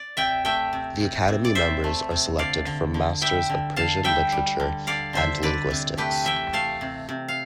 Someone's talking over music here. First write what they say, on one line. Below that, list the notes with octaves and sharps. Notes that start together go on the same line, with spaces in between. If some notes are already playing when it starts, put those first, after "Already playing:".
The academy members are selected from masters of Persian literature and linguistics.
Already playing: D5
C3 E5 G5
A3 E5 G5
C3
C3
C3
D5
C3 C5 E5
A3
C3
D3 D5 F5
D3
D3
G3 E5 G5
D3
D3 F5 A5
G3 E5 G5
G3
D3
D3 D5 F5
D3 C5 E5
D3 B4 D5
C3
A3 G4 B4
E3 E5 G5
A3 F5 A5
C3
C3
F5